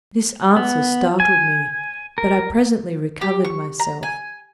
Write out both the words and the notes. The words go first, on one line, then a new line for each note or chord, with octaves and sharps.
This answer startled me, but I presently recovered myself.
B3
G#5
A#4
G4
C#6
A#5
G#5